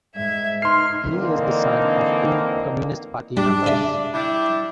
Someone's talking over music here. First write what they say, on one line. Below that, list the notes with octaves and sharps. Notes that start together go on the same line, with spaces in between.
He is the son of two Communist Party members.
G#2 E5 G#6
D#4 B4 C6 F6 C7
D3 E3 A#3 C4 D4 D#4
G3 D4
C#3 D5 E5
G3 D4 E4